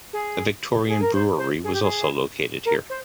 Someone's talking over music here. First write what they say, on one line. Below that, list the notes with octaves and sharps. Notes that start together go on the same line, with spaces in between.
A Victorian brewery was also located here.
G#4
G#4
A#4
C5
C5
G#4
G4
G#4
A#4
C5